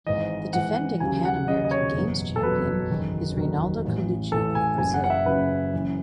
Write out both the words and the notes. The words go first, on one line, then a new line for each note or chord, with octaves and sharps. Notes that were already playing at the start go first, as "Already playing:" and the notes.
The defending Pan American Games champion is Reinaldo Colucci of Brazil.
G#1 G#2 E3 D#5
G#1 G#2 E3 F#5
D#2 C#3 F#3 G#5
F#5
D#2 C#3 F#3 D#5
D#5
C#5
F#1 E2 B2 F#3
A4
F#1 E2 B2 F#3 B4
F#1 E2 D#3 F#3
F#1 E2 D#3 F#3
A1 A2 E3
A1 A2 E3 A4
G#5
F#1 F#2 C#3 F#3 G#5
F#5
F#5
E5
F#1 F#2 C#3 F#3 B4
F#1 F#2 E3